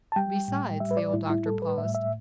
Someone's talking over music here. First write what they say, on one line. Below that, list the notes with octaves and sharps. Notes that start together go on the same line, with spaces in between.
"Besides," the old doctor paused.
A5
G3 G5
A2
G3 E5
B4
D5
A2 E4
E4
G3 A4
B4
A2 E5
E5